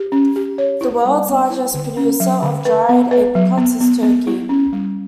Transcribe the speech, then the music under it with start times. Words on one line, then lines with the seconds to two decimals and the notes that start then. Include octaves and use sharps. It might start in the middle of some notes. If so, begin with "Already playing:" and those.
The world's largest producer of dried apricots is Turkey.
Already playing: G4
0.12 C#4
0.36 G4
0.58 C#5
0.81 E4
1.05 G3
1.27 B3
1.50 E4
1.74 D3
1.97 C#4
2.20 F#3
2.43 D3
2.65 B4
2.89 B3
3.11 B4
3.35 F#3
3.57 B3
3.80 B3
4.03 B3
4.27 E4
4.49 C#4
4.73 G3